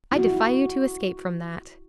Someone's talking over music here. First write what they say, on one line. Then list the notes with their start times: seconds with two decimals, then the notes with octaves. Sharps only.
I defy you to escape from that.
0.12 E4 F#4